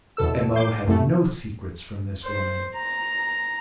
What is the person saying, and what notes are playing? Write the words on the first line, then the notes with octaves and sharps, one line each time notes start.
M.O. had no secrets from this woman.
E2 B2 A4 E6
D6 G6 C7
C2 F#2 A2 C3 A3
C5
A#5